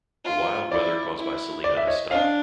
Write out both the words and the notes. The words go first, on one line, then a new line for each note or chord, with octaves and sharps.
The wild weather caused by Selena has stopped.
F4
E4 D5
E4
D5
E5
C#5 D#5
D4 D#5 F5